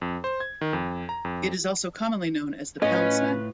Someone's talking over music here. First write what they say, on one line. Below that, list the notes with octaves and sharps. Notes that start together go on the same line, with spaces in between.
It is also commonly known as the "pound sign".
F2
C5
G#6
D#3
F2
A#5
F2
A2 C#4 F4 B4 D#5